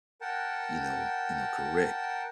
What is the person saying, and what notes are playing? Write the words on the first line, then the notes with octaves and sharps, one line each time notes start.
you know you know, correct.
A#4 F#5 G5 A5